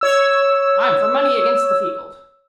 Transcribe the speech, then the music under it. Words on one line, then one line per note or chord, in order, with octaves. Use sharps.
I'm for money against the field.
C#5 E6